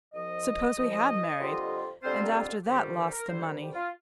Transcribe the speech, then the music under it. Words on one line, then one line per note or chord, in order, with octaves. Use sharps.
Suppose we had married, and after that lost the money!'
C2 C3 F3 D#5
C2 C3 F3
F2 D3 G3 C4 F4
F2 D3 G3 C4 F4 C5
A#4
A4
D2 C3 D#3 G3 G4
F4
A#4
D2 C3 D#3 G3 C5
A4
A#4
G4
F4